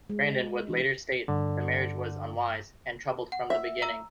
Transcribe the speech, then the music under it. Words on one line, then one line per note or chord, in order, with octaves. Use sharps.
Branden would later state the marriage was unwise, and troubled from the beginning.
G#3
E3 D4
G2 D3
F#5
E5
A#5 E6